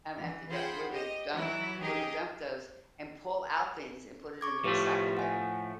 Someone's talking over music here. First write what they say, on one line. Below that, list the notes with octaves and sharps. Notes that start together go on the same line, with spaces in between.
um, at the dump where the dump where the dump goes, and pull out things, and put it in the recycle bin,
E3
F4 G#4 C5 F#5 G5 B5
G4 D#5
E3 F#3 E4
D#4 G4 G#4
C#6 D6 G#6
A2 F3 A3 G4 B4
F#5 G#5